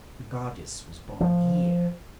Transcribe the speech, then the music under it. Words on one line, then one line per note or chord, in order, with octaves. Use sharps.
The goddess was born here.
F3